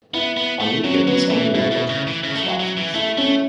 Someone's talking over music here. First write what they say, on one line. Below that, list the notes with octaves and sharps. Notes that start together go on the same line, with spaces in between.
On weekends, only local trains make stops at this station.
B3 E4
B3
A3
F#3 C#4
F#3 B3
E3 A3
B2 E4
B2
C#3
E3
C#3
A3
F#3
F#3
E3
A3 E4
A3 C#4